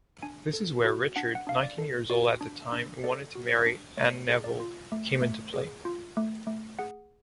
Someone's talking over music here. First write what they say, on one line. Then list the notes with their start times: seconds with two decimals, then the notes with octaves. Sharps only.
This is where Richard, nineteen years old at the time, who wanted to marry Anne Neville, came into play.
0.22 D4 G#5
0.53 A4
0.85 F#4
1.16 D4 F#5
1.35 F#5
1.47 D4 F5
1.63 D5
1.78 A4
2.10 F#4 D5
2.41 D4
2.72 D4
3.04 A4 D5
3.35 F#4
3.66 D4
3.97 A3 C#5
4.29 G#4
4.44 D5
4.60 F4
4.92 A3
5.22 A3
5.54 G#4
5.85 F4
6.17 A3
6.47 A3
6.79 G#4 F#5